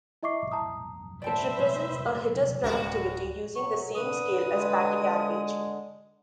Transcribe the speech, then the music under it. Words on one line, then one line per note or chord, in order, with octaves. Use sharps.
It represents a hitter's productivity using the same scale as batting average.
E4 D#5 E5 C#6 D6 C7
A5 A#5 D#6
B4 C5 D5 E5 G5 A5
D1 G3 G#3 C#4 F#4 A#4
F#3 C#6
D3 B4 D#6
G#3